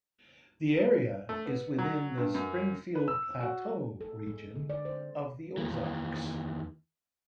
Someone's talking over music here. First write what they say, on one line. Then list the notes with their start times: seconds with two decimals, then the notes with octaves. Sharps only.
The area is within the Springfield Plateau region of the Ozarks.
1.29 A3
1.46 B3
1.78 F#3
2.17 G2
2.35 F#2
2.95 B4
3.08 E6
3.41 F#4
4.01 A4
4.27 G#3
4.56 D3
4.70 D5
4.85 C5
5.57 D#2 E3